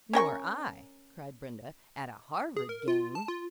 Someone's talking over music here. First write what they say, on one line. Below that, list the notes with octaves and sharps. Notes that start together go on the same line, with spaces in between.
"Nor I!" cried Brenda, "at a Harvard game!"
C#4 A#4 G5 C#6
G#4
A#4
F4
A5
F4